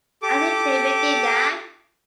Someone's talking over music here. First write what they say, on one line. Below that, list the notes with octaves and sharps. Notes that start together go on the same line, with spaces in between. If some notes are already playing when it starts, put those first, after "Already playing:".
I think Jamie did that.
G4 A4 D6